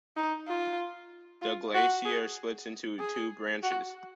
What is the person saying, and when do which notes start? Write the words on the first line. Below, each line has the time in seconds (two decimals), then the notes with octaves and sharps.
The glacier splits into two branches.
0.17 D#4
0.48 F4
1.42 F4
1.74 F#4
2.05 G#4
2.99 G#4
3.63 F#4